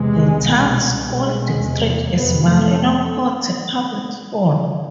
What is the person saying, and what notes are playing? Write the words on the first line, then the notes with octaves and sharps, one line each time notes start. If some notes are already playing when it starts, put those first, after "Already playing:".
The town's school district is Marion County Public Schools.
Already playing: E2 C3 G#3
C2 B2
C2 B2 G#3
E2 C3
F2 C3 B3
A3